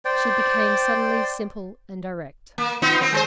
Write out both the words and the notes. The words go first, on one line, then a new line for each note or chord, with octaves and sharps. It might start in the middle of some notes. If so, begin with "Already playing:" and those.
She became suddenly simple and direct.
C5 D5 G5
A#3
B3 D#4 F4
A#3 C4
G#3 A4 C5